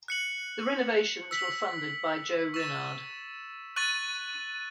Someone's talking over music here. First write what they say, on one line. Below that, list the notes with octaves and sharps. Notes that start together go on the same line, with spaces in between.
The renovations were funded by Joe Rinard.
F#6 C#7 F#7
E6 B6 F#7
C#6 E6 A6 E7
C#6 F#6 A6 D#7 F#7